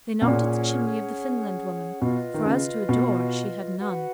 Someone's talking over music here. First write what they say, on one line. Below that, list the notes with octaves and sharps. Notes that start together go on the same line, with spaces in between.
They knocked at the chimney of the Finland woman; for as to a door, she had none.
B2
A#2 C#4 G#4 C#5 F#5
B2 F4 B4 D#5
D#3
C#3
B2
F#4 B4 F#5